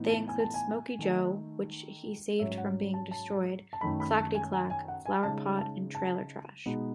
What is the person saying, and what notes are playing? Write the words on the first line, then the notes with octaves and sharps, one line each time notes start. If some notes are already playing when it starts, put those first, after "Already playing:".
They include Smokey Joe, which he saved from being destroyed, Clackety-Clack, Flowerpot, and Trailer-Trash.
Already playing: A2 E3 B3 D#4
A5
G#5
A5
G#5
D#3 A3 D#4
G#2 F#3 C#4 E5
F#5
A5
A5
A5
F#2 D#3 A3 D#4 B5
B5
A5
G#5
G#5
G#5
F#5
G#5
C#3 G#3 D#4 A5
A5
A5
B2 G#3 B3 D#4